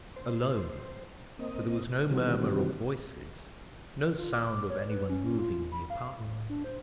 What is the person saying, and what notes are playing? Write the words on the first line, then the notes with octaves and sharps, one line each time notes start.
Alone; for there was no murmur of voices, no sound of any one moving in the apartment.
C5
A#3 C4 D#5
C3 D#3 E3 G3 C4 F#4
F4
D6
C#5
B4
C#4
F4
B5
F5
A2
D4
C5